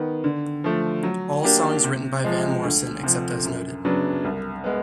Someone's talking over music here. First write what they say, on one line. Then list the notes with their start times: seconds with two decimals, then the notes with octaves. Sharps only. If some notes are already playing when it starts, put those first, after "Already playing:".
All songs written by Van Morrison except as noted.
Already playing: D#3 B3
0.24 D3
0.64 F3 A3
1.03 F#3
1.44 A#3 D4 G4
1.84 C3
2.24 F3 G#3
2.64 D2
3.03 C3 F3
3.43 F#2
3.85 C#3 F#3 B3 D4
4.24 C2
4.64 G#3 B3